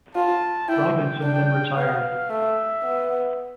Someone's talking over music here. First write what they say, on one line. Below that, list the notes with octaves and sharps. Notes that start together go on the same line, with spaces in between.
Robinson then retired.
F4 A5
E4 G5
D4
B3 F5
A3 E5
B3